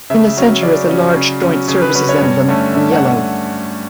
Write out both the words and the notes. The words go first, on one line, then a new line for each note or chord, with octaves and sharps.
In the centre is a large joint services emblem in yellow.
C#3 E5
F#3 C#4
C#3 D5
F#3 C#4
C#3
F#3 C#4
C#3
B4
F#3 C#4 B4
C#5
G2
D3 A3 C#4
G2 E5
F#5